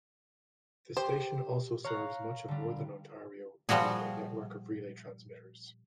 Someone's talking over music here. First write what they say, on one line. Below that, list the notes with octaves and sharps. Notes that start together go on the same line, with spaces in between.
The station also serves much of Northern Ontario through a network of relay transmitters.
G4 C5 G5
C#5 F5 A#5 F#6
D3 G3
A#2 F3 G3 F#4 G#4